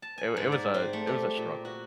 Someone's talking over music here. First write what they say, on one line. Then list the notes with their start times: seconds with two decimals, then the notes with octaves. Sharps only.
it it was a it was a struggle.
0.02 A5
0.18 G#5
0.37 G#2
0.52 D5
0.74 C4
0.93 A3
1.07 G4
1.37 A#2
1.65 F#4